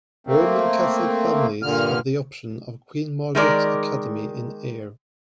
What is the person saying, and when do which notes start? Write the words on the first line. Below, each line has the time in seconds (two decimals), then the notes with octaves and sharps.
Roman Catholic families have the option of Queen Margaret Academy in Ayr.
0.27 A3 A#3 C4
1.62 G2 A#2 D3 F6
3.35 D#3 G#3 A#4 D5